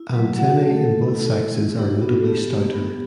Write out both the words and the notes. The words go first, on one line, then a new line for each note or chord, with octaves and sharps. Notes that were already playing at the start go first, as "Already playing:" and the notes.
Antennae in both sexes are notably stouter.
Already playing: E4
F#3
A3 F#4 F#5
F#4 F#5
A3
A3 A4
E4
E4
E4
E4
D4 G4
F#4
B3 F#4
A4
A3 G4
A3
B3